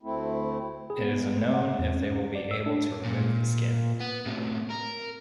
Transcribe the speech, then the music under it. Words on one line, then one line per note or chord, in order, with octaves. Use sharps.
It is unknown if they will be able to remove the skin.
D2 A3 C4 E4
G#4
B3
A3
F#5
E2
C#4
D5
E6
D4
A#2
B3
A2 C3
A#4